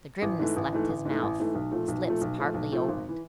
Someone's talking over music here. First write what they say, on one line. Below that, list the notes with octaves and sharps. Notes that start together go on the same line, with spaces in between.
The grimness left his mouth, his lips partly opened.
A1
G#2 E3 A3
A1
G#2 E3 A3
A1
G#2 E3 A3
A1
G#2 E3 A3
B1
A#2 F3 A3
B1
A#2 F3 A3
B1
A#2 F3 A3
B1
A#2 F3 A3
G#1
E3